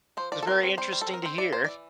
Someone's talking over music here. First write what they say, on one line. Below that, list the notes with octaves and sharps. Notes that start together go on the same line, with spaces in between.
it was very interesting to hear.
F3 C5
F3 D5
A4
C4 A#4
C4
G3 C5
G3
A4
C4
A#4
C4 C5
E3 D5
A#3 C5
E3 D5